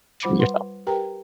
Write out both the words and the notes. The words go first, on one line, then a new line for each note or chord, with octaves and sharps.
Treat yourself.
G3 F4 C5 F#5 B5 D6
B4 F#5 C6
G4 A#4 B4 G5 A#5